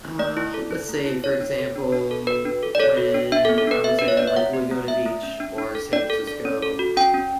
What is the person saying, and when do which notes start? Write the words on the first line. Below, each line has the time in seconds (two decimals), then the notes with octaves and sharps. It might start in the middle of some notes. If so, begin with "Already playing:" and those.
Uh, let's say, for example, when I was in, like, Laguna Beach or San Francisco
0.19 A3 D5
0.37 E4
0.54 A4
0.71 E4
0.89 A3
1.06 E4
1.24 A4 C#5
1.41 D4
1.58 A4
1.75 D4
1.92 D4
2.11 A4
2.27 F#4 B4
2.45 D4
2.63 A4
2.75 D5
2.80 A4 C#5
2.97 F#4
3.14 D4
3.32 D4 E5
3.45 A4
3.49 B3
3.58 A4
3.67 D4 B4
3.84 B3 E5
3.99 D4 B4
4.08 C#5
4.17 D4 D5
4.27 E5
4.37 A3 F#5
4.53 G4
4.71 A3
4.88 A3 E5
5.06 A3
5.23 C#4
5.40 D4
5.58 D4
5.75 A4
5.93 D4 D5
6.10 A4
6.28 A4
6.45 C#4
6.62 A4
6.79 F#4
6.97 C#4 G5
7.14 C#4